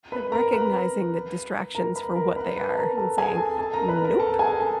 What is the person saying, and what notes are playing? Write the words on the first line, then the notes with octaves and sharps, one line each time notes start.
But recognizing the distractions for what they are and saying, "Nope."
B4 B5
A#4 A#5
B4 B5
A#4 A#5
B4 B5
A#4 A#5
B4 B5
B4 B5
A5
A#4 A#5
A4 A5
G#4 G#5
A4 A5
A4 A5
A#4 A#5
B4 B5
A#4 A#5
A4 A5
G#4 G#5
A4 A5